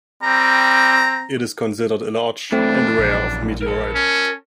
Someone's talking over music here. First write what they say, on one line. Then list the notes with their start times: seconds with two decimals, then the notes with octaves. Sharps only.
It is considered a large and a rare of meteorite.
0.23 G3 C4 A#5
2.52 F#2 E3 A3 C4 D4
2.99 A#1
3.62 A#4 A5
3.95 C#4